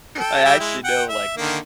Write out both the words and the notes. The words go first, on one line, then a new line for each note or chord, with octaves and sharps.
I actually know, like,
A4 G5
G3 E5 G5
G#3 E4
F#5 G5
E5
D3 D#3 A#3